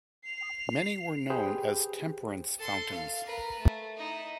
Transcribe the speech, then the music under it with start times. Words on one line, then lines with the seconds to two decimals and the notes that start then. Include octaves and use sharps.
Many were known as temperance fountains.
0.24 C7 F7
1.30 G4 G#4 B4 C5 G5
2.58 A4 C6
2.91 F5
3.25 A#4 B4
3.58 A3
3.97 D#4 E4